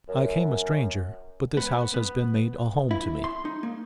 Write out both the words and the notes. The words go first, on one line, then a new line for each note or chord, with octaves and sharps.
"I came a stranger, but this house has been made a home to me."
F#2
B3
B3
E4
C6
D#4
A#3